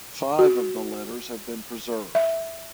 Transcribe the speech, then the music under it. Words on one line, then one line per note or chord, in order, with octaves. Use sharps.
Five of the letters have been preserved.
F#4
E5